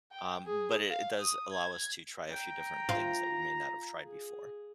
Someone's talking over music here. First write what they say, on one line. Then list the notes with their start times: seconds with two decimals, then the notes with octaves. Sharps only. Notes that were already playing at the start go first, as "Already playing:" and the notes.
Um, but it it does allow us to try a few different things that we may not have tried before.
0.11 G5
0.45 G#4
0.90 F5
1.19 D#6
1.52 G#6
2.29 G5 A#5
2.89 F4
4.04 G#4